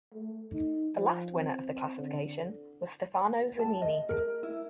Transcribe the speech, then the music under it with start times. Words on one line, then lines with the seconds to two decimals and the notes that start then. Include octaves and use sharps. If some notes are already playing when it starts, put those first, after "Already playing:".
The last winner of the classification was Stefano Zanini.
0.13 A3
0.53 D#4
0.96 F3
1.33 C4
1.97 D3
3.59 A5
3.82 D#5
4.09 A#4
4.43 E4